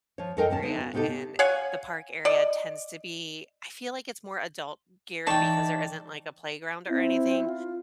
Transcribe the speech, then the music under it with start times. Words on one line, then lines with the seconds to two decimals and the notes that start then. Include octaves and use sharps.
area, and the park area tends to be I feel like it's more adult-geared because there isn't, like, a playground or anything,
0.18 F3 C#5
0.37 F#2 F3 A4 A#4 D#5 G5
0.50 D#2 F#3 C#4 A5
0.63 D3 B3 D#4
0.80 F#4
0.94 C3 B3 D#4 G4 A4
1.39 C#5 F5 F#5 G#5
2.25 D5 D#5
5.27 E3 D#4 D5 G5 A5 C#6
6.90 C4 E4
7.46 F4